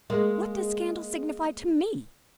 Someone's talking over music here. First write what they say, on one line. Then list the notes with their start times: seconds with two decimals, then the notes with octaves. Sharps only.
What does scandal signify to me?
0.10 G#3 A#3